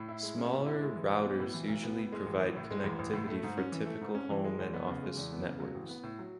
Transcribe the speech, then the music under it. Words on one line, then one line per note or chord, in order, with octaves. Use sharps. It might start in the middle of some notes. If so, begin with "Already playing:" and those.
Smaller routers usually provide connectivity for typical home and office networks.
Already playing: A2
E4
G#3
C#4
A2
E4
G#3
E3
B1
B3
A2
E3
B1
B3
A2
G#3
A1
A1
A2
G#3
A1
A1
A2
A3
G#2
C#4
E3
A3
G#2
C#4
E3
G#3
E2
B3
C#3
G#3
E2
B3
C#3
F#3
A1
B3
A2
F#3